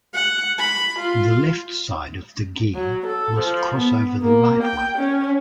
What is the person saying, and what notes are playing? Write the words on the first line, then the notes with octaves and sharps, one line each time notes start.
The left side of the gi must cross over the right one.
F#5
B5
F4
F#3
A4
F3
B3
A#3
G5
C#4